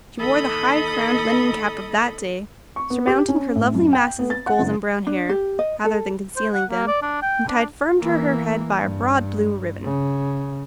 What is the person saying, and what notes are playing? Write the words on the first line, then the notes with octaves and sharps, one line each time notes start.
She wore the high-crowned linen cap of that day, surmounting her lovely masses of golden brown hair, rather than concealing them, and tied firm to her head by a broad blue ribbon.
D#2 A4 D#5 B5 D#6
C#6
B3
G4
C#4
A2
F#2
G5
B3
A6
F#5
F#1
D4
G4
D#5
A4
C5
F#5
A#3
D5
D4
G5
D4
E3 A#3
G2
C#3